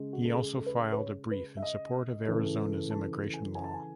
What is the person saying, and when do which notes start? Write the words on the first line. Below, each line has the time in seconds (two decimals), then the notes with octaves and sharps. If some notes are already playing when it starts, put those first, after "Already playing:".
He also filed a brief in support of Arizona's immigration law.
Already playing: C#3 G#3
0.13 F#4
0.25 A4
0.34 G#4
0.57 A4
0.66 B4
0.92 B4
0.99 C#5
1.31 B4
1.57 E5
1.63 D#5
2.27 C#3 E3 A3
2.91 A5
3.34 G#5
3.55 G#5
3.64 A5
3.74 G#5